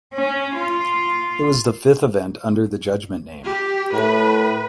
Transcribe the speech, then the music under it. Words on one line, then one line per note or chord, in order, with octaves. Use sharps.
It was the fifth event under the Judgement name.
C#4
F4
G4
A2 B4